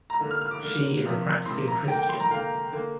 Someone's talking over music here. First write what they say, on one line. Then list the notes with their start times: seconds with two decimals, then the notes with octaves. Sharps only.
She is a practicing Christian.
0.10 A#5
0.19 D3 A#3
0.31 F6
0.41 F6
0.51 D6
0.63 D3 A#3
1.04 C3 F3 A#3
1.46 C3 F3 A#3 C6
1.68 A#5
1.88 D3 A#3 G5
1.99 G5
2.09 C6
2.20 A#5
2.30 D3 A#3 F5
2.72 D3 A#3